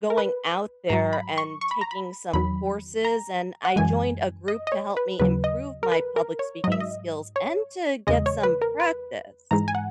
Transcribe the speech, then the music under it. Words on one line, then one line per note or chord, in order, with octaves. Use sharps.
going out there and taking some courses, and I joined a group to help me improve my public speaking skills, and to get some practice.
A#4
B4
G#2 F#3 A#5
B5
C#6
C#6
B5
A#5
B5
E2 D#3 F#3 B5
A#5
F#5
F#2 E3 G#3 G#5
D#5
D#5
C#5
B4
D#2 C#3 F#3 B4
D#5
A#4
B4
A#4
C#5
G#2 F#3 D#5 E5
D#5
C#5
E2 C#3 G#3 D#5
C#5
B4
A#4
B4
G#2 E3 G#3 A#5
G#5
F#5